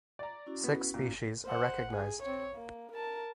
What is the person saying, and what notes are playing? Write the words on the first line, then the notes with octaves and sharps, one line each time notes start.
Six species are recognized.
D5 A#5
C#4 E4 F#4
B3
A#2
C5 F#5
G#4
C4 C#5
A#3
A#4 A5